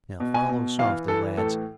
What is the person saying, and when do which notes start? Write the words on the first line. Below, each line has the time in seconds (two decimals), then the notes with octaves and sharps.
Now follow softly, lads!
0.20 B2
0.34 G#5
0.49 B2
0.79 E3 F5
1.08 E3 A4
1.37 A2 A4